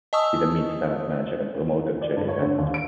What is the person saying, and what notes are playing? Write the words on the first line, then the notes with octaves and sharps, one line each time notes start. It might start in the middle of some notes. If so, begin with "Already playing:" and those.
He then meets talent manager and promoter Jerry Brandt.
D#5 G#5 A5 C#6 D#6 E6
D5
G2
C#5
D3
D#2
D7